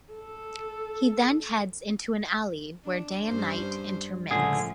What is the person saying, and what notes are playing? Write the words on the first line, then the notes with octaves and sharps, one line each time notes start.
He then heads into an alley where day and night intermix.
A4
D4
G2 C#4 C5
C#2 A2 D3 F3 G#4